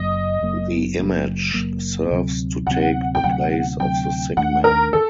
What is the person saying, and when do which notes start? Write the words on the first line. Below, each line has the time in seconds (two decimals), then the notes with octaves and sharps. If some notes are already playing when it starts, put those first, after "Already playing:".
The image serves to take the place of the sick man.
Already playing: F#1 F#2 F#3 A#3 D#5
0.41 F#1 F#2 F#3 A#3
0.98 F#1 F#2 F#3 A#3
1.54 F#1 F#2 F#3 A#3
2.11 D2 C3 F#3 C4
2.67 D2 C3 F#3 C4 F#5
3.15 G5
3.24 D2 C3 F#3 C4 F#5
3.79 D2 C3 F#3 C4 G5
4.37 D#2 D#3 A3 D4 F#5
4.64 A#4
4.93 D#3 A4